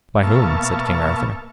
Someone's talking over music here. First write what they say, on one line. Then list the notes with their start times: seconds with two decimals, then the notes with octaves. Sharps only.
By whom? said King Arthur.
0.23 B2 A#3 E5 F5 A5 C#6